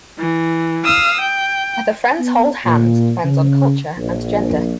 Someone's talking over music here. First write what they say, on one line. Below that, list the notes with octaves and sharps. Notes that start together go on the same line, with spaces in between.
Whether friends hold hands depends on culture and gender.
E3
F5 D#6 E6
G5
B3
A#2
C#3
A#1